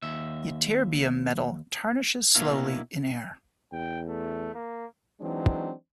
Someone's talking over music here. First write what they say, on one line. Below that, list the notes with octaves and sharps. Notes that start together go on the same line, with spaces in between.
Ytterbium metal tarnishes slowly in air.
D#2 E5
B2 A#3 D4 E4 F5
E2 G5
A3
A#3
E3 F#3 G#3 C4 D4 D#4